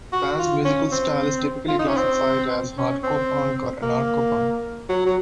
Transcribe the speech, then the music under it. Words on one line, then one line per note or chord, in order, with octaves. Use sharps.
The band's musical style is typically classified as hardcore punk or anarcho-punk.
F#4
F4
C#4
C4
F4
D#4
C#4
C4
C#4
C4
A#3
F#3
F#3